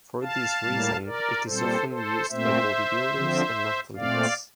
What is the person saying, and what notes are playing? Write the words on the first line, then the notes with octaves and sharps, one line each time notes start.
For this reason, it is often used by bodybuilders and athletes.
F5 A5
A2 G3 A#3
A#4 D5
A#2 G3 C4 A4 C5
A4 C5
A#2 A3 C4 C5 E5
D3 F3 C4
A#2 A3 C4 D5 F5